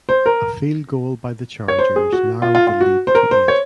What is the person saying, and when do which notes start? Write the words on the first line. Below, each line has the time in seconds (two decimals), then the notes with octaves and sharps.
A field goal by the Chargers narrowed the lead to eight.
0.09 C5
0.26 A#4
1.68 C#5
1.79 C5
1.96 G#4
2.13 F#4
2.42 F4
2.55 F4
2.67 F4
2.81 F#4
3.07 C5
3.15 A#4
3.31 C5
3.48 C#5